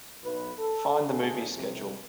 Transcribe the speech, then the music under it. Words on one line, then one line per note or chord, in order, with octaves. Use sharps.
Fine the movie schedule.
B1 B4
A4
D2 A2 C#3 D4 G#4 A4
F2 A2 C3